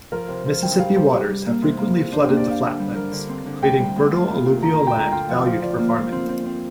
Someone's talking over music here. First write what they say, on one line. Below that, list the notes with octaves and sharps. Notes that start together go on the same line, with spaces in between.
Mississippi waters have frequently flooded the flatlands, creating fertile alluvial land valued for farming.
F3 A#4
C3 C5
F3
G2 G5
G2 F5
G3 C5
G3 G4
G3
A#3
C3
A#3
C3
D4 C5
A#3 G4
D5
G4 F5
D3
G3
A#4
D3
C4
D3
D2 G5
G3
D2
F4
A#2
A#2
D3 A#5
D3 A#5
G5
D3 A#5
F4 G5
F3 F5
F3 C5
F3 D5
A#3
F4
C4
C4
C4